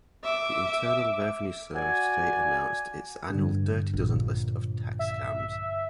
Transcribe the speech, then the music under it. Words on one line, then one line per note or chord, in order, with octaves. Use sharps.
The Internal Revenue Service today announced its annual Dirty Dozen list of tax scams.
E5 D6
F#4 D5 G#5
G2 D3
A#1
E5